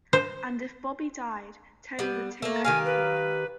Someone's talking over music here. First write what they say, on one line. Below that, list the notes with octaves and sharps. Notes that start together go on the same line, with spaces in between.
And if Bobby died, Teddy would take over for him.
C5
G3 B3
A3 A#3
D#3 G4 F5 G#5
B4